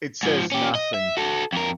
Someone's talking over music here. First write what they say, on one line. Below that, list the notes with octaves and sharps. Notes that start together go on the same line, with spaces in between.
It says nothing.
G#2 F3
C#4 G4
D#5
E5
F#4 A4
F2 A#4